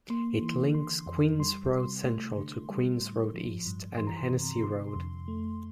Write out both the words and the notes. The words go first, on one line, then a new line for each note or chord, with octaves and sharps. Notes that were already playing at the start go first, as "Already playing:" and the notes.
It links Queen's Road Central to Queen's Road East and Hennessy Road.
A#3 C6
E3
D3 C6
F2
G3 C6
C3
A3
D3
G3
A2
F3
G2
E3 C6
A#5
C6
C3
D3 C6
F2
A3